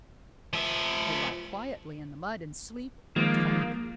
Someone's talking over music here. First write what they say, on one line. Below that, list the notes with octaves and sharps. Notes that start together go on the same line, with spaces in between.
They lie quietly in the mud and sleep or talk.
F3 E5
D#3 F3 G#3 A#3